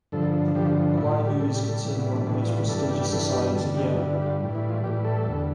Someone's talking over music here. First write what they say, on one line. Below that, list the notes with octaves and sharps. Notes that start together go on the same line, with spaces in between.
Elihu is considered one of the most prestigious societies at Yale.
G2 D3 F3 A4
G2 D3 F3 G4
A2 G3 E4
F4
G4
A2 G3 A4
G4
A4
A2 E3 G3 G4
B3
D4
A2 E3 G3 D4
F4
G2 E3 G3 A4
A4
G4
G4
G2 E3 G3 A4
G4
G2 D3 G3 A4
G4
G2 D3 G3 E4
E4
G4
F4
A2 E3 G3 G4
E4
F4
A2 E3 G3 G4
A4
E2 D3 G3